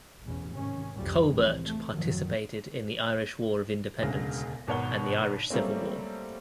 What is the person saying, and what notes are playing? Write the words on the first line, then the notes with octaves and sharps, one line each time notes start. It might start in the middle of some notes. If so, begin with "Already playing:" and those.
Colbert participated in the Irish War of Independence and the Irish Civil War.
A1 E2 B2 C#4
G#2 C3 D#3 C#4
C2 F2 F3 G3
C2 F2 A2 E3 G#3 C4
A3
F#2 A2 D#3 F3 F#3
E1 D2 C#3 G#3 A#6
G#1 B2 A#4 C#5 F#5 G7
F#3 G3 A3 A#3 C4 C#4